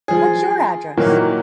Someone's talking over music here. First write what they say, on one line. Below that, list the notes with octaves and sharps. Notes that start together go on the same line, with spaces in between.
What's your address?
F3 G#4
A#2 D#3 E3 F#3 A#3